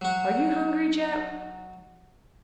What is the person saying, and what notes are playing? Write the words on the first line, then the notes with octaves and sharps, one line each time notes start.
"Are you hungry, Jap?"
F#3 F#4